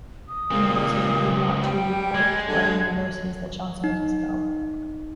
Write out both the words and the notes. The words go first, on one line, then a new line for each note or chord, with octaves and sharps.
The university agreed to not report to other universities that Johnson was expelled.
D#6
C#2 A#2 C4
G3 G5
G#3 G#6
D3
D#4